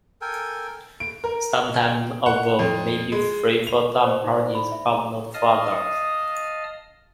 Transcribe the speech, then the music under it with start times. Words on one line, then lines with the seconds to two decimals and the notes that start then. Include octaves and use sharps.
Sometimes a vote may be free for some parties but not for others.
0.21 A4 A#4 G5 G#5
1.00 D7
1.24 A#4
1.81 G5
2.26 F#5
2.59 F2
3.12 G#3
3.67 F7
4.04 C5
4.24 D#4
4.37 D5
4.55 B5
4.72 E5
4.92 A#5
5.34 D#5 F5 A5 D#6 F6